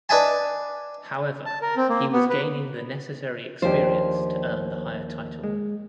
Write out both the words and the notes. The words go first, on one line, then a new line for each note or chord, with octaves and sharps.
However, he was gaining the necessary experience to earn the higher title.
D4 B4 D#5 E5 G#5 A5
A5
A#4
C4
A#3
B3
B4
D#2 F3 D4 G4 C5
G#3